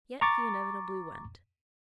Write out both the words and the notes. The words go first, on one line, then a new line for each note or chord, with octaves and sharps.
Yet he inevitably went.
A#5 C#6 D6 A6